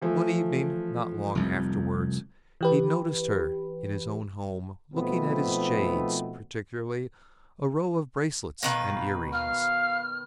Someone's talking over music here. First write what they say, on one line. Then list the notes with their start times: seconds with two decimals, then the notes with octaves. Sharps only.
One evening not long afterward he noticed her in his own home looking at his jades, particularly a row of bracelets and ear-rings.
0.02 E3 F3 A3
1.35 F1 C2 F2
2.61 E3 G4 B4
4.94 B2 D#3 F3 A3 B3 C4
8.63 B2 D#3 B4 F5
9.33 F5 F6